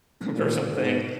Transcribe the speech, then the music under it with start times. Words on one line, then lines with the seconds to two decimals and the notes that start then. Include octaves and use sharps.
for some things.
0.35 A#2
0.68 G#2